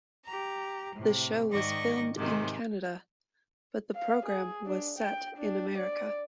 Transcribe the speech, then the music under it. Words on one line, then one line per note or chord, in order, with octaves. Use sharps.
The show was filmed in Canada, but the program was set in America.
G4 A#5
A2 C3
G#2 D#3 D5 D#5 C#6 A#6
G#2 C3 D#3 G#3
F5
G#4
D4
G5
D4
D5